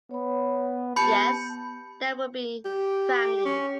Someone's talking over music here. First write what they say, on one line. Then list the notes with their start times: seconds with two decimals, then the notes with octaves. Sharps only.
Yes... There will be family...
0.11 B3 C#5 B5
0.96 B3 G4 A5 B5 G6 C#7
2.65 G4
3.46 C#4